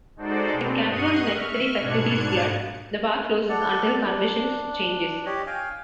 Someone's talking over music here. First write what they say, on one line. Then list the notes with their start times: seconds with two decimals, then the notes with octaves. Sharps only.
When campgrounds and necessary facilities flood, the park closes until conditions changes.
0.16 G#3 D#4 F#4 A4 C5 D5
0.51 B2 G#3 C4 D4
0.87 G2 D#5 F#5 C#6 C7 D#7
1.31 E5 C#6 F6
1.80 G#2 B2 D4 F#6 G#6 C#7
3.49 A4 D5 F#5
4.02 D4
5.26 G4 C#5 D#5
5.47 F5 G5 G#5